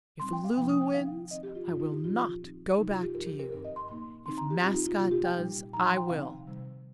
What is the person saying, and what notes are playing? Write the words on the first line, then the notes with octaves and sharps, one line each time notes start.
If 'Lu-Lu' wins I will not go back to you, if 'Mascot' does I will.
A#2 G3 C4 D#4 C6
G5
F5
C3 F3 A#3 D#4 G5
D#6
G5
D#3 C4 D#4 F5
D#3 C4 D#4 D#5
G4
F4
G2 D#3 C4 D#4 F4
D#4
G4
A#2 F3 C4 F4
D#3 C4 D#4
C3 G3 D#4
F4
G4
G2 F3 D#4 A#4
G4
A#4
G2 D#3 C4 D#4 A#4
D#5
C6
A#2 A#3 D#4 C6
D#3 C4 D#4 C6
A#5
G4
A#2 G3 C4 D#4 F4
D#4
F4
C3 D#3 A#3 D#4 F4
G4
G5
A#2 G3 D#4
A#2 F3 D#4 A#5
C6
G5
C3 D#3 C4 D#4 F5
C3 D#3 G3